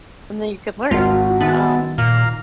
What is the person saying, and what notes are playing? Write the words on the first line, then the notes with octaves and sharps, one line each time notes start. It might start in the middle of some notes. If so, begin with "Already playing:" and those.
and then you could learn, um.
G#1 F4 F#4
D#3 G#3 B3 E4 A5
A#2 F5 A#5